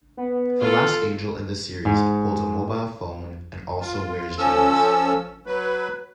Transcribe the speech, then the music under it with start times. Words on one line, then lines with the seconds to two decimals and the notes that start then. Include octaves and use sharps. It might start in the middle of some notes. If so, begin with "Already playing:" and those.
The last angel in the series holds a mobile phone and also wears jeans.
0.17 B3
0.60 F4 A4
1.85 G#2
3.80 F4
4.38 F3 C#4 A4 E6
5.46 F#3 B4